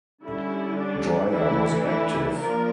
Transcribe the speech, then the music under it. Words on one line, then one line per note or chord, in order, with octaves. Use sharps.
Dreyer was active.
D3 G3 C#4 E4
D4
E3 A3 D4 E4
E4
F3 A#3 D4 A#4